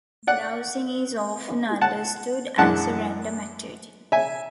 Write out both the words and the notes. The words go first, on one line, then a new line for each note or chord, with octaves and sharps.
Browsing is often understood as a random activity.
D5 F#5
F#5 A5
F#2 E3 G#3 D4 F#5 A5
E5 G#5